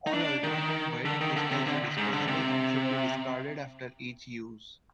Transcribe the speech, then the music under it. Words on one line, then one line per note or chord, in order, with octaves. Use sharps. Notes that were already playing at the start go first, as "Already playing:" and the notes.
All ultra-fine white crystals are disposable and should be discarded after each use.
D#4
D4
D#3
D3
D#3
D3
C3
D3
G#2
D3
C3